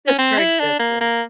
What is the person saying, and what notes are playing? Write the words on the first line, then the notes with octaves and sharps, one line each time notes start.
Just for existing.
C#4
C4
E4
D4
A#3
A#3